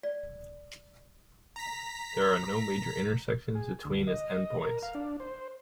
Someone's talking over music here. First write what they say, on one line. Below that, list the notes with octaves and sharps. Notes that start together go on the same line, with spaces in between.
There are no major intersections between its endpoints.
D5
A#5 B6
G#4
D2
D#5
A#4
F5
D4
C5